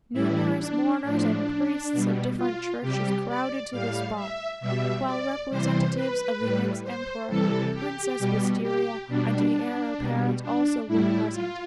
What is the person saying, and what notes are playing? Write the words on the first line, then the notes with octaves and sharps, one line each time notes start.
Numerous mourners and priests of different churches crowded to the spot, while representatives of the ex-Emperor, Princess Wistaria, and the Heir-apparent also were present.
A2 E3 G3 E4
D4
A2 F3 D4
B2 G3
F4
C3 G3 G4
D5
A2 G3 F5
E5
B2 G3 E5
D5
C3 E3 G3 C5
B4
A2 G3
C5
C3 E3 G3 A4
G4
B2 G3
G4
B2 G3 D4
B2 G3
D4
A2 G3 E4
F4